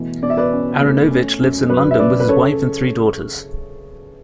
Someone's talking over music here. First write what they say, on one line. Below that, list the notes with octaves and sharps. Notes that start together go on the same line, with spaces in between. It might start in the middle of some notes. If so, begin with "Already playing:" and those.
Aaronovitch lives in London with his wife and three daughters.
Already playing: B2 E3 A3
B2 D5
E5
B4 D5
C#4
A3
C#4
F#2
F#3 B4
E5
C#3 B4 D5
B4
C#3 A4 C#5